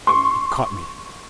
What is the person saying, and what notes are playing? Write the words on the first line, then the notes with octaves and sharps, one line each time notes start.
It caught me.
C6 C#6